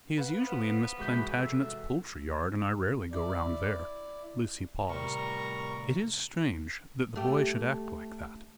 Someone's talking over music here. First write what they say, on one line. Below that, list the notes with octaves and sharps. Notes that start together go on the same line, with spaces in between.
He is usually in Miss Plantagenet's poultry yard, and I rarely go round there." Lucy paused. "It is strange that the boy should act like that.
B4 F5 F#5
B3 C5 F6
C2 E3 G#3 F#4 B5 G6 B6
A4 E5
E4 D5
A2 C3 G3 A#4 A#5 C#6
A3 G4